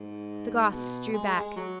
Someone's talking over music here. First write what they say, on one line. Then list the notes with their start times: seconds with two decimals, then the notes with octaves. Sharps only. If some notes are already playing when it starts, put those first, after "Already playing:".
The Goths drew back.
Already playing: G#2
0.71 B2
1.14 G#3
1.35 G#3
1.56 F#3